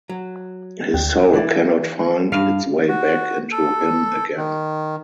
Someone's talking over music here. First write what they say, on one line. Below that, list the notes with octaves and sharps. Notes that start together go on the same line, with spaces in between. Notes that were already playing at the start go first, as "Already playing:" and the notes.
His soul cannot find its way back into him again.
F#3
D2 G5
E3 D5
G2 F5
F#4
A4
D#3